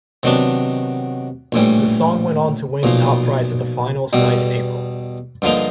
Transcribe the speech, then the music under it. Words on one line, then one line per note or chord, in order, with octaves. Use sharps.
The song went on to win top prize at the finals night in April.
C3 D#3 F#3 B3 D4
A#1 A2 E3 G3
B1 A#2 F3
E2 B2 G3
G2 D3 F3 A#3 D#4